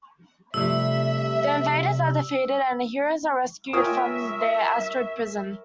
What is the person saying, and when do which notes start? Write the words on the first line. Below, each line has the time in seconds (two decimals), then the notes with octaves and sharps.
The invaders are defeated and the heroes are rescued from their asteroid prison.
0.54 C3 F3 G3 A3 E5 E6
3.73 F4 A#4 C#5 E5 G5 G#5 D#6